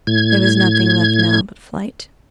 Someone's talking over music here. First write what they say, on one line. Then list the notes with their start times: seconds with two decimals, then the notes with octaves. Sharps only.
There was nothing left now but flight.
0.07 A2 G#6